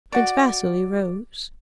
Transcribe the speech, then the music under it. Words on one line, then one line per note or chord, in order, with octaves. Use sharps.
Prince Vasili rose.
F#4 D5